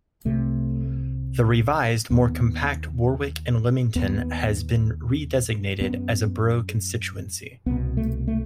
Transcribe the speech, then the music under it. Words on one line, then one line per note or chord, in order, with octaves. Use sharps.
The revised, more compact, Warwick and Leamington has been redesignated as a Borough constituency.
C2 C3 A3
D#2 B3
D#2 B3
F#2 B3
C2 B2 B3
A3
A3